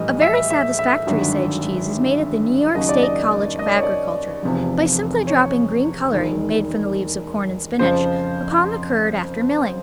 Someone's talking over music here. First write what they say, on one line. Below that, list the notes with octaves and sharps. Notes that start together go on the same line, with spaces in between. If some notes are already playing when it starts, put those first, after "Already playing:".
A very satisfactory Sage cheese is made at the New York State College of Agriculture by simply dropping green coloring, made from the leaves of corn and spinach, upon the curd, after milling.
Already playing: A#1 A2 E3 G3 D#5
E5
E5
E5
G#1 G2 D3 F#3
D#2 C#3 F#3 D#5
D5
D#5
D#5
D5
C#5
D5
F1 E2 C3 F3
C#5
E1 D#2 D#3
F2 C#3 F3 C5